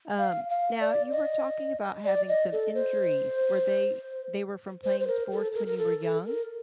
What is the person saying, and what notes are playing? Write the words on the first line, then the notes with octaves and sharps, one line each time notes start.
Um, now, you were talking about having some injuries. Were they they were from playing sports when you were young?
F5
F5
D5
D#5
D5
D#5
A4
C5
C5
C5
A#4
A4
A#4
A#4
A4
A4
A#4